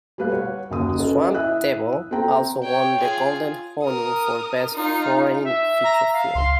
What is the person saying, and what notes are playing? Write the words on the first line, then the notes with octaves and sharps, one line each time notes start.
Swamp Devil also won the Golden Honu for Best Foreign feature film.
G3 A3 B4 F5 F#6
C#5 F#5
F#1 D#2 F#4 D#6
C#4 A4 B4 D#5
E4 E5 D#6 F#6
C4 A4 G5 A#5
C#5 G5
F4 G#4
A#4 D#6
D#4 F4
E5
A#5
F5
C#2 C6